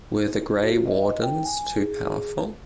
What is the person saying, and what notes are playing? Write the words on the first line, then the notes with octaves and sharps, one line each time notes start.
Were the Grey Wardens too powerful?
F#4
D#5
G5
G#5
G#4